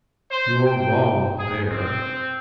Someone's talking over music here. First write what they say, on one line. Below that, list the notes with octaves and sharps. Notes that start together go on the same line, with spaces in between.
"You are wrong there."
C5
G5
G#4
C4